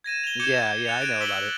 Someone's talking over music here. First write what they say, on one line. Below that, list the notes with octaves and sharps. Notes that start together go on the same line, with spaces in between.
Yeah, yeah, I know about it.
G#6 A#6 D#7 E7
F7 G7
D6 G6 G#6 C#7 E7 G7
F#6 A6 C#7 F7
F#6 G#6 D7 D#7 F7
D6 E6 B6 F#7 G7